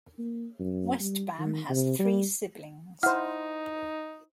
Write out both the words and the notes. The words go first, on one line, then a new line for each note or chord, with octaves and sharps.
Westbam has three siblings.
A#3
F#2
G3
D#3
C3
G3
D#4 E4 C5 F#5 F6